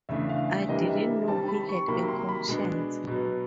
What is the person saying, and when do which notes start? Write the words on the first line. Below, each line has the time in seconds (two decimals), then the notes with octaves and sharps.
I didn't know he had a conscience.
0.09 E2 C#3 E3 A3 D4 E5
0.29 F5
0.49 E5
0.68 C3 E3 G3 A#3 D4 D#5
0.89 E5
1.28 D#3 G3 C4 A5
1.48 B5
1.69 C#6
1.88 C3 D#3 F#3 A#3 B5
2.08 C6
2.29 B5
2.48 B2 G#3 B3 D4
3.07 B2 F#3 B3